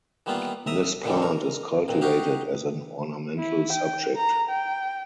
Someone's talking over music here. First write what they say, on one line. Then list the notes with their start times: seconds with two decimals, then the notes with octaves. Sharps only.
This plant is cultivated as an ornamental subject.
0.26 D#3 E3 G3 A#3 B3 F4
0.67 C2 E5 A#5 D#6
1.03 D#2 A#2 D3 E3 G3
1.22 A#4
1.88 F2 A#2 D#3
2.01 D#4 F#4 G4 F5
3.39 E4
3.72 G5
4.16 A#5
4.49 G5